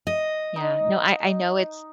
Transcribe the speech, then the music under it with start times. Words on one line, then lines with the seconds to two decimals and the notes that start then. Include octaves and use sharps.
Yeah. No, I I know it's
0.07 D#5
0.56 D#4